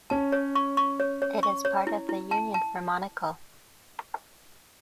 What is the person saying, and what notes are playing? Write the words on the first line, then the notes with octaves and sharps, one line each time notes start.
It is part of the Union for Monaco.
C#4 A5
C#5
C#6
C#6
C#5
C#5
C#6
C#5
E4
E4
A5
A5